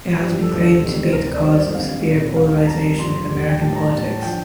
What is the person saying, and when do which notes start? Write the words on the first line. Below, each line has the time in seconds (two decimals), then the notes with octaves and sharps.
It has been claimed to be the cause of severe polarization in American politics.
0.19 G2 F3 G4
0.30 G4
0.41 A4
0.51 D#2 D3 F3
0.82 F2 C3 D#3 G3
1.04 C5
1.13 D2 C3 G3 A#4
1.34 D5
1.44 G2 D#3 G3 C5
1.54 D5
1.59 D#5
1.75 F2 D3 G3 F5
2.06 C2 A#2 G3
2.36 D2 D3 G3 F5
2.47 F5
2.57 A5
2.67 F2 D#3 G3 A#5
2.99 G2 F3 C6
3.29 D#2 D3 G3
3.49 G5
3.60 A2 G3 A5
3.76 A#5
3.91 A2 G3 A5
4.22 D3 F3 G5